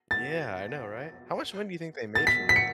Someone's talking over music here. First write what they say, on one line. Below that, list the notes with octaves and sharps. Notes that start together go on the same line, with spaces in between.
Yeah I know, right? How much money do you think they made from that?
A6
A6
B6
B6
C#7